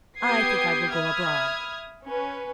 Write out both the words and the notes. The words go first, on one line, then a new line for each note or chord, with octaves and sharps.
"I think I will go abroad."
B3 G4 D#6 G6 G#6 C7
E5 B5 D#6 F6 G#6
C#4 B4